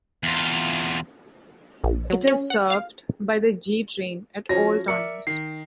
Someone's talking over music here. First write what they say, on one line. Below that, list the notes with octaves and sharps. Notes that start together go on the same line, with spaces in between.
It is served by the G train at all times.
E2 F4
A#1
F#3
C#4
F#5
F5
F3 C#4 F#4 A#6
A#4 D5 E5 C#7
D#3 C7